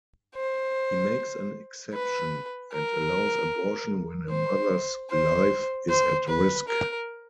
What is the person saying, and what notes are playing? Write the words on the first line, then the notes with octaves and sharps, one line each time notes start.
He makes an exception and allows abortion when a mother's life is at risk.
C5
B4
A#4
C5
C5
C5
B4
A#4